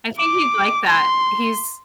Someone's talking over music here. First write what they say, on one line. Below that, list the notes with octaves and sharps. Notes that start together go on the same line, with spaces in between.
I think he'd like that. He's
D6
C6